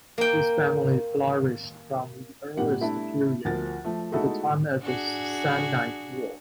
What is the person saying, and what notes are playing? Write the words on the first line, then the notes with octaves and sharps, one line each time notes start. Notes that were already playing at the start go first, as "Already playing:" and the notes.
This family flourished from the earliest period to the time of the Samnite Wars.
A#3 G5
G#1 A#2 G3 F#5
G3 A3 D4 E4
D2 F3 A#4 A6
F3 A3
G#3 A3 D#4 E4 F#4 A4
D4 F#4 G#4